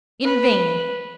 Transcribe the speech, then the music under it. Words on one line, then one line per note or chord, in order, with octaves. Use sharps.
In vain!
B4